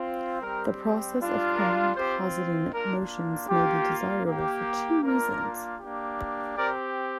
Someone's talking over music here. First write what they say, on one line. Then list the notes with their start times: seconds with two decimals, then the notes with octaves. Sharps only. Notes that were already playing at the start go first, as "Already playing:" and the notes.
The process of compositing motions may be desirable for two reasons.
Already playing: C4 F4
0.41 G3 C4 G4 A#4
1.19 G3 D4 F4
1.57 A#4 D5
1.95 C4 F4 G4 C5
2.73 A#3 D4 F4 A#4
3.48 A#3 F4 G4
4.26 A#3 G4
5.02 A#3 D4 F4 A#4
5.79 A#3 D4 G4
6.55 C4 G4 A#4 D5